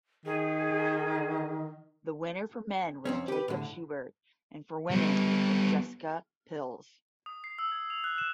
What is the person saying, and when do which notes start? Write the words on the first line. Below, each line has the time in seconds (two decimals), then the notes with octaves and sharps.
The winner for men was Jakob Schubert and for women was Jessica Pilz.
0.26 D#3 G#4
3.05 F2 C4 C#4
3.28 G4 B4
3.48 A2 D3
4.91 G3 B3
7.26 D#6
7.44 C7
7.59 E6
7.72 G#6
7.90 F7
8.04 F#6
8.18 E7